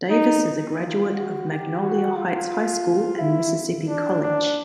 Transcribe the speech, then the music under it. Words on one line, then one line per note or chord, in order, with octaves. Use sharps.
Davis is a graduate of Magnolia Heights High School and Mississippi College.
D#4
F4
F#4
G4
F#4
F4
E4
D4
D4